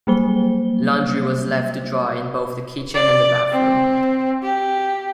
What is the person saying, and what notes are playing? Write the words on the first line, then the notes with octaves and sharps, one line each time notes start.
Laundry was left to dry in both the kitchen and the bathroom.
F#3 G3 A#3 C5 G7
D5
C4
G4